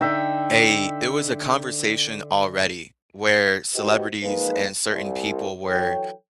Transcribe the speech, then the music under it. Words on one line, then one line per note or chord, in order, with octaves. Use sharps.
a it was a conversation already where celebrities and certain people were,
D3 D#4 E5 G5
D#4 F#4 G4 B4 C5 D#5
F3 G#3 A#3 D#4 B4
C2
E3 F#3 A4 C#5 G5